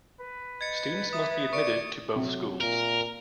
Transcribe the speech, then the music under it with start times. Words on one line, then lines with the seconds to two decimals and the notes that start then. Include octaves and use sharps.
Students must be admitted to both schools.
0.20 B4
0.61 D#5 G#6 A6 C#7
1.13 E5 D#6
1.53 D5 C#6 C#7 D7
2.16 C3 F#3
2.61 A#2 A#4